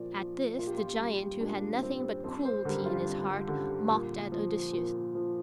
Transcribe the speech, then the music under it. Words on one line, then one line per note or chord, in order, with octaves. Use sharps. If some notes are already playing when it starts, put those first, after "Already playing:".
At this the giant, who had nothing but cruelty in his heart, mocked at Odysseus.
Already playing: A#2 F3 D5
F3
A#2 F4
G4
F4
G3
A#2 D4
G3 C4
F2 C4
C5
D3 G3 A#4
F4
F2
D3 G3
A#2
F3
A#2
F3